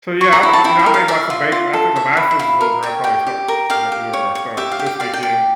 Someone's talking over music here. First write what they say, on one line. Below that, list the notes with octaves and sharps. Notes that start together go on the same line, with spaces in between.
So, yeah, I w you know, I may watch some base after the Masters is over, I'll probably start, you know, doing more stuff, but this weekend,
C#5 C#6
A#5
E4 C#6
A5
E4 G5
G5
A#4
F5
D5 E5
F4
F4
A4
C#5 E5
E4
E5
E4 F5
A#4
C#5 G5
G4 G5
G4
A#4
G4 F5
G4
C#5
C#5
G4 E5
F5
G4
G5
D5 F5
G5
D5